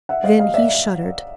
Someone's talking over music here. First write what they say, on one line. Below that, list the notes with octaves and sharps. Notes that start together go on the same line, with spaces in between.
Then he shuddered.
E5 F#5
D#5 F5
D#5 F5
D5 E5